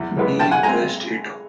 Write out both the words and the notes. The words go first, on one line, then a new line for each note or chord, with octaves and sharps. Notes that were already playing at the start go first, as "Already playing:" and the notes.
He brushed it off.
Already playing: E2
C#3 E3 G#3 B3
B2 G5 A5
F#5 G#5
G#3 C4 G#5 A#5